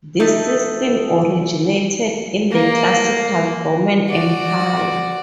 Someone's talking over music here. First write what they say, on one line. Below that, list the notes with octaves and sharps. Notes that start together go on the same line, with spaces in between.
This system originated in the classical Roman Empire.
A3 D#4 A4
A#3
F#4 D5